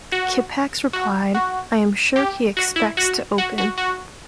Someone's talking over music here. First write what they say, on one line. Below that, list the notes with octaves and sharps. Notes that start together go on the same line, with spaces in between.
Kippax replied, I am sure he expects to open.
F#4
F#4
F#4
G4
F#4
E4
F#4
F#4
F#4
F#4